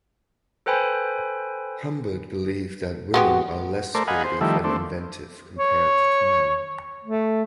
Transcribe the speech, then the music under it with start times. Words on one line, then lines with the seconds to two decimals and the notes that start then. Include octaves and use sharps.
Humbert believed that women are less creative and inventive compared to men.
0.66 A4 B4 C5 G5 G#5 B5
3.14 G#3 B3 F#4 G4
3.95 A3 A#4 C5 D5
4.08 D#5 F5 F#5 G#5 B5
4.24 C5
4.41 D#3 F3 G3 A3 E4
4.64 A3 C4 D4
5.59 C#5
7.04 A3